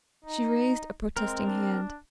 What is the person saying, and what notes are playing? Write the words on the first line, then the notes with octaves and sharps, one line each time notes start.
She raised a protesting hand.
D#4
G#3 C4 A#4
D4